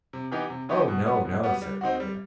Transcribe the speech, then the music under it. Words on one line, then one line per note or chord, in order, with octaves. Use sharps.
'Oh no! no!' said Amelia.
C3
E3 B3 D#4 G4
C3
E3 B3 D#4 G4
B2
G3 B3 F#4
B2
G3 B3 F#4
G3
C4 D#4 F#4
G3